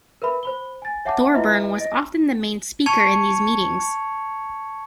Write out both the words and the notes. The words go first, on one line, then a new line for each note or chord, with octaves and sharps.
Thorburn was often the main speaker in these meetings.
A#4 B4 E5 B5
C5 B5 G7
G#5 A6
C#5 E5 F#5 A5 D6
E4 F4 B4 D#5 E5
D#5 A#6 D7
A5 C#6 G#6 C#7 F7